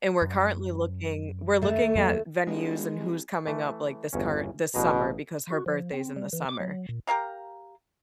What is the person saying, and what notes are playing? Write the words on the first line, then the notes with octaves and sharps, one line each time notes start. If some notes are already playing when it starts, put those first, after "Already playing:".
and we're currently looking we're looking at venues and who's coming up, like, this current this summer, because her birthday's in the summer,
F#2
D#2 A3
F2 F#3 A#3
G1 G#3
C2
E3 A3
G1 E2 C#4
A1 B2 G#4 A#5
F#4
F3
C4
G3
E3
D6
F#3
A#2
G4 A#4 F5 A#5